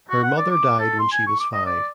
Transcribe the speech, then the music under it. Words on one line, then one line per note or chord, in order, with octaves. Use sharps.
Her mother died when she was five.
F#4
F#5
D5
D6
A4
C6
G#5
C#6
D6
D#5
D5